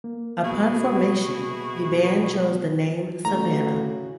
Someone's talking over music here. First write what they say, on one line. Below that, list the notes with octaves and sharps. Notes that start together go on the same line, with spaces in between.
Upon formation, the band chose the name Savanna.
A#3
B2 E4 F#4 G#4
A2 C#3 F#4 A#5